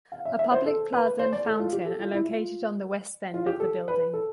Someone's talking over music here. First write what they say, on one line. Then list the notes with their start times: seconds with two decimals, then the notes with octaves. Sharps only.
A public plaza and fountain are located on the west end of the building.
0.12 F5
0.25 E5
0.39 E5
0.52 C5
0.66 A4
0.93 B4
1.19 C5
1.33 D5
1.46 A4
1.60 F4
1.73 G4
1.86 A4
2.00 F4
2.12 E4
2.27 F4
3.34 F4
3.46 G4
3.60 A4
3.88 B4
4.14 A4